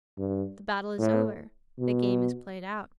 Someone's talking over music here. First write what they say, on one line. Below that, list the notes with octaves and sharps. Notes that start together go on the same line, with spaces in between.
"The battle is over--the game is played out."
G2
A2
B2